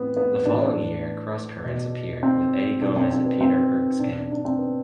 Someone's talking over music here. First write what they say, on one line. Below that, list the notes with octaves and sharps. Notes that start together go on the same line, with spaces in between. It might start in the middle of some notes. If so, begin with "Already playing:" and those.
The following year "Cross Currents" appeared, with Eddie Gomez and Peter Erskine.
Already playing: A2 E3 B3 C4
B3
A2 E3 D4
B2
C4
B2 D4
C4
C4
B3
C4
B2 D4
D4
C4
B3